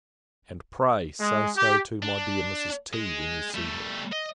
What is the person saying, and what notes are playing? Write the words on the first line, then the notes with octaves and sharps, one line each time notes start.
And, pray, say so to my dear Mrs. T. when you see her.
G#3
G4
D4
G#3
G3 A3
D#5